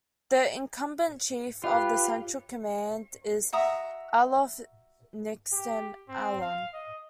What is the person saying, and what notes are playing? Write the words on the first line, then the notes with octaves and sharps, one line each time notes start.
The incumbent chief of Central Command is Aluf Nitzan Alon.
F4 G4 B4
F#4 E5 A#5 D#6
G4
C4
F5
D#5